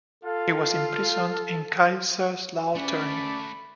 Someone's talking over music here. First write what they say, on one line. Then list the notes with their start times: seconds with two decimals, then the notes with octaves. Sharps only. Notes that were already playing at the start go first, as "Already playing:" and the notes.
He was imprisoned in Kaiserslautern.
0.24 F4 A4 F5
2.75 A3 C#4 F#4 D5 B5